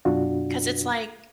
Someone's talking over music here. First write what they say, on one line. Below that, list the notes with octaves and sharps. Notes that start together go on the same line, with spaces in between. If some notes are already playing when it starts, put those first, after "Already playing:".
'cause it's like
F#2 B2 D4 F4 F#4